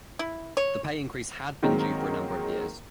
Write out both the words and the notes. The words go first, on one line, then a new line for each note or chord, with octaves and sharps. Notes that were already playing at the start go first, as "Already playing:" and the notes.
The pay increases had been due for a number of years.
E4
C#5
D#3 F#3 G#3 A#3 C4 D#4